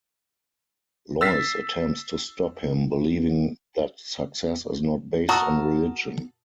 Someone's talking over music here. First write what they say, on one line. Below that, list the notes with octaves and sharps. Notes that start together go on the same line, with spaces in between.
Lois attempts to stop him, believing that success is not based on religion.
E6 A6 B6 C7
F#4 A#4 A5 D#6 E6